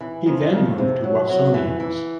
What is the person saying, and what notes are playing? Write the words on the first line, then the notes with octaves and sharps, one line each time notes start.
He then moved to Watsonians.
E3
F2
F2
C3
F#3
F#3
E3
E3